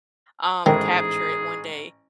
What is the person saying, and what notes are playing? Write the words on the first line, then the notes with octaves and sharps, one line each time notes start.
um, capture it one day
A1 G#2 D#3 E4 G#4